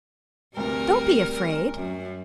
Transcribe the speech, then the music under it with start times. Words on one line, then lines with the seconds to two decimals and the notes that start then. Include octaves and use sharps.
Don't be afraid.
0.57 D2 G2 C3 G3 A#4
1.76 F#2